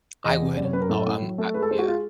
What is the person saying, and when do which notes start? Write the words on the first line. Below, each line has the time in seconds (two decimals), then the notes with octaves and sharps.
I would. I'll, um, I yeah.
0.24 E2 D#5
0.42 C3
0.57 F#2 D5
0.65 C#5
0.73 F#2 B4
0.81 A#4
0.89 A2 A4
1.06 A2
1.22 F#3
1.38 A3
1.54 G#3 B4
1.62 A4
1.71 G#3 C5
1.79 F#4
1.87 F4